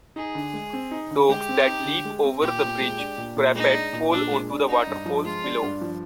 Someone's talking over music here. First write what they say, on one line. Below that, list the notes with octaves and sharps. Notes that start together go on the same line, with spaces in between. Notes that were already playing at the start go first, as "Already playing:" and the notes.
Dogs that leap over the bridge parapet fall onto the waterfalls below.
D#4 G#4
D3
G#3
C4
D#4
D3
G#3 G4
C4
D#4
D3
G#3
C4
A#2 G4
A#2
G#3
D4
A#2
A#2
G#3 D#4
D4
A#2
A#2 D4
G#3
D4
D4 D#4
G2
F3
G#3 F4
D4
G2
F3